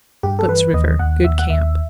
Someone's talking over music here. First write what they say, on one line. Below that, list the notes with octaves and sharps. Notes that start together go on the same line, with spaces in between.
Soot's River.--Good camp.
G2 G4
A4
E3 B4
D#2 D#5
D#2 F#5
D#2 E5
F#5
D#2 E5